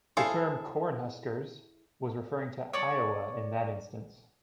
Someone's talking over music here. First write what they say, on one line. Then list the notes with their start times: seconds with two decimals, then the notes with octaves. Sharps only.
The term "Cornhuskers" was referring to Iowa in that instance.
0.17 E4 G#4 A4 C5 F5
2.74 C#5 D5